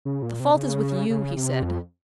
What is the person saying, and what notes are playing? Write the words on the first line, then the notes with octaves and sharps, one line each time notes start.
"The fault is with you," he said.
C#3
A#2
C3
C3
C#3
C#3
C3
F2